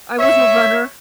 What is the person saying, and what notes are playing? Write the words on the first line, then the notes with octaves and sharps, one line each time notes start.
I was a runner.
C#5 E5